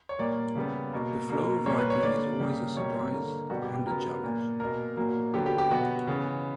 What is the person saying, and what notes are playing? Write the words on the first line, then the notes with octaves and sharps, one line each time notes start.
The flow of writing is always a surprise and a challenge.
C#5
A#2 G3 A#3 D5
C#3 G3 B3
B2 A#3
B2 A#3
A#2 G3 A#3 C#5
B4
C#5
D3 A#3 D5
C#3 G3 A#3
B2 G3 A#3 C#5
D3 A#3
B2 G3 B3 F#4
G4
G4
C#3 F#3 B3 A#4
A#2 A#3
B2 A#3 A#4
A#2 F#3 A#3
D3 F#3 B3 G4
G4
G4
B2 F#3 B3 F#4
C#3 E3 B3